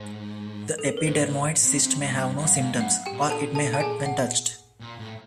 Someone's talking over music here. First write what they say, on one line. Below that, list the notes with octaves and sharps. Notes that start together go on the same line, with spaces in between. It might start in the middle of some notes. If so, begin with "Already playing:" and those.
The epidermoid cyst may have no symptoms, or it may hurt when touched.
Already playing: G#2
A4
A#4
B4
A2 C5
A2
C3
C3
G#2
G2
G2
F#5
G#2 F5
G2
F#5
G4 G5
A#2
A4 A5
A4 A5
A5
G#4 G#5
F#5
A#2
A2